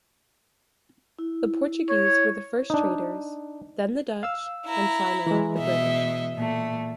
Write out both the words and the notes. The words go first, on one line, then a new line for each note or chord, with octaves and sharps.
The Portuguese were the first traders, then the Dutch and finally the British.
E4
C#5
D4 D#4
F5 E6
E4 A#5
E3 G#3
B2 D#5 E5
A#2 A3